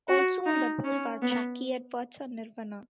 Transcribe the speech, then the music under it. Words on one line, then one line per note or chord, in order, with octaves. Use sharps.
Also on the bill were Jackie Edwards and Nirvana.
F#4
D#4
C#4
B3